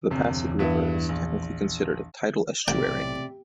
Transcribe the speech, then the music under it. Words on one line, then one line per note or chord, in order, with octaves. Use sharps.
The Pasig River is technically considered a tidal estuary.
G1 E2 C3
G2 B3 E4
A#1
B1 A2 C3 D5 G5